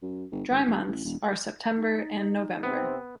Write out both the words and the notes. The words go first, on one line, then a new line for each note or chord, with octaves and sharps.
Dry months are September and November.
F#2
G1
G#1
F1
A1
E1
D#4
C3 B3 C4